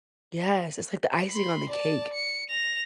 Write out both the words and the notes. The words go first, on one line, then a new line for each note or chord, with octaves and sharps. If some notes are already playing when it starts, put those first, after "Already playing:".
Yes, it's like the icing on the cake
B5 C6
D5 A5
C#7
A#6 F7